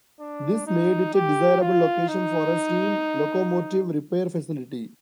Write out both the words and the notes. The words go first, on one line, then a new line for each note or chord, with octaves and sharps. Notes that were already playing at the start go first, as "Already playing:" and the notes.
This made it a desirable location for a steam locomotive repair facility.
D4
D#4
G4
F4
D#4